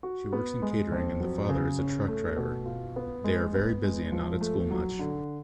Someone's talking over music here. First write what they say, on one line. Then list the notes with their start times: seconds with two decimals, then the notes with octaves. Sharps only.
She works in catering and the father is a truck driver. They are very busy and not at school much.
0.03 F#4
0.33 B3
0.62 G#3
0.92 F2
1.20 F#3
1.49 C#3
1.79 C#4
2.08 A3
2.37 B2
2.66 F4
2.96 B3
3.24 G#3
3.55 B3
3.83 G#3
4.12 F3
4.41 A3
4.70 F#3
4.99 D3